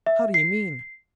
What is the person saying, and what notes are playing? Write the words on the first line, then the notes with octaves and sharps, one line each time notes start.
"How do you mean?"
E5
C7